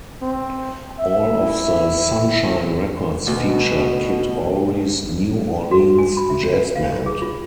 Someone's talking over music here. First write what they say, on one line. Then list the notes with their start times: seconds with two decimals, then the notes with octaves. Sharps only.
All of the Sunshine Records feature Kid Ory's New Orleans jazz band.
0.22 C4
0.99 E5
1.40 E4
3.27 D2 B2
5.71 F#4
5.98 G#5
6.17 B5
6.30 E5
6.53 B4
6.76 F5
7.06 G#4
7.22 F4